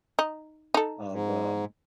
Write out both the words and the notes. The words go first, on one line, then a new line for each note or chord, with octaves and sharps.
of, um,
D#4
D#4 A4
G#2